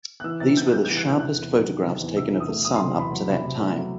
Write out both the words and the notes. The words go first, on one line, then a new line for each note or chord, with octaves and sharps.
These were the sharpest photographs taken of the Sun up to that time.
F#6
E3 E6
C3 A6
C3 G6
F#6
G3 G6
E3 G6
F#6
C3 G6
C3 F#6
E2
F#3
D#3
C3
E2
C3 E6
E2
D#6
A3
F#3 D#6
C3 C6
E2 B5
F#3
C3
C3
A3
F#3